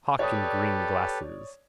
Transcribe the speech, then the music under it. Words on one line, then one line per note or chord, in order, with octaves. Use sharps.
Hock in green glasses.
G4 A4 B4 C#5 D5 D#6